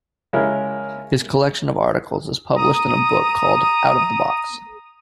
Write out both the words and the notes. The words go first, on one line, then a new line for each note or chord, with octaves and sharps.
His collection of articles is published in a book called Out of the Box.
C#3 G#3 C#4 E4 A#4
A#5 D#6